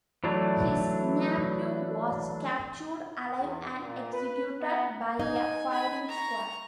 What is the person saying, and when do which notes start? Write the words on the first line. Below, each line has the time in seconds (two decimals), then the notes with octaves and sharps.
His nephew was captured alive and executed by a firing squad.
0.24 E3 F#3 A3 D4
3.38 E2
3.80 A#2
4.13 B4
4.61 B3
5.19 D#4 G#5
5.70 G#5 B5
6.08 A#5 C#6